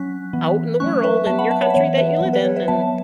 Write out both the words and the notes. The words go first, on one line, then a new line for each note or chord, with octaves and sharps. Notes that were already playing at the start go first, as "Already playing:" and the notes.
out in the world in your country that you live in, and
Already playing: F#3 C#4 F#6 B6
E3 B3
F#3 A3 C#4 C#6 F#6
B4 E5
F#3 B3 E5 A5
F#5 B5
E5 A5
C#5 F#5
E5
E3 B3 C#5 F#5
B4 E5
F#3 B3
B4
C#5
B4 E5
F#3 B3 E5 A5